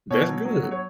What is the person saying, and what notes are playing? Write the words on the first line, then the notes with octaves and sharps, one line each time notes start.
That's good.
B2 C#5
F#3
F#3
F#3
C#5